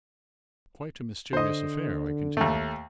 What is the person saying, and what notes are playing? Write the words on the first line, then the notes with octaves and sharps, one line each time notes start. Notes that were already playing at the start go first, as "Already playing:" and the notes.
"Quite a mysterious affair!" I continued.
D3 C5 D#5
D#2 A3